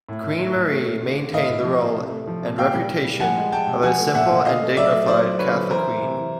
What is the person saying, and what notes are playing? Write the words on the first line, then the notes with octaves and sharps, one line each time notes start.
Queen Marie maintained the role and reputation of a simple and dignified Catholic queen.
A2
A2
A2
A2
A3
A3
D3
D3
A2 D#5 F5
A2
F3
A2
C3
A3
F3
C3
A#2 F5 G5
G3
G3
G3
F3 F#5 G#5
G#3
G#3 G5 A5
C3
F3 F#5 G#5
A3
A#2 E5 F#5
A#2
D3 D#5 F5
A3
F#3 D5 E5
A3
F#3 C5 D5
F#3
D3 B4 C#5
D3
E3 A#4 C5
E3
C3
E3